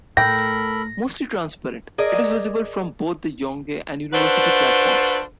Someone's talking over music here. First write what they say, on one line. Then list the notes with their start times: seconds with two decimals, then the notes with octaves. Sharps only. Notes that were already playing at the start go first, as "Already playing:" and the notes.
Mostly transparent, it is visible from both the Yonge and University platforms.
0.17 A2 A4 A#4 G5 B5 A#6
1.98 G#4 A#4 D5 D#5
4.13 D4 F4 F#4 A4 B4 C5